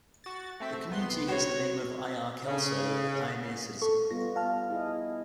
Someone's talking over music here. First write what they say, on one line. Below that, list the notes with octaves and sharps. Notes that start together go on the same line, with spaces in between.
The community has the name of I. R. Kelso, a pioneer citizen.
F#4 A6
A3 C4 E5
C2 B3 C6
F#4 C#5
C#3
A4 C#6
G3 B3 F4 A#6
F5 A5 F6
E4 G#4 D#5